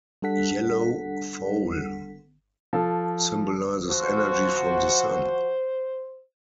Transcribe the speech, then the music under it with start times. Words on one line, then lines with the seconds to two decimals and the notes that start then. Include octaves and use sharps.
Yellow foal symbolizes energy from the Sun.
0.22 G3 D4 A4 F#5 B6
2.73 F3 A4
3.90 F3 F#4 C5